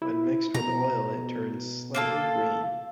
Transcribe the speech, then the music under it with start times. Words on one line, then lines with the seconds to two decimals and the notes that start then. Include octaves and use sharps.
When mixed with oil it turns slightly green.
0.02 E4
0.54 B2 A#5
1.94 A#3 F4 A4